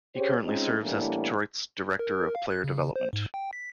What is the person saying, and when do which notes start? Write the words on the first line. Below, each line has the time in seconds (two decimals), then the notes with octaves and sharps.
He currently serves as Detroit's Director of Player Development.
0.16 C#4 G4 G#4 C5 C#5
0.45 G#3 C4 C#4 D#4 F4
0.81 A2 E3 G3 A#3 B3 D4
1.99 A#4
2.35 F5
2.51 F#6
2.64 C#3
2.96 C5
3.13 G#2
3.34 G5
3.53 B6